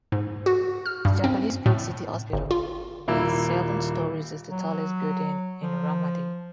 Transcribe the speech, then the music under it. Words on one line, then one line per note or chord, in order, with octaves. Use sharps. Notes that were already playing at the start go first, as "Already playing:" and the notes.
The Japanese-built city hospital, with seven storeys, is the tallest building in Ramadi.
G#2
F#4
F6
G2
C4
A2
G1
F4
D#1 A#3 E4 E6
F#3
F3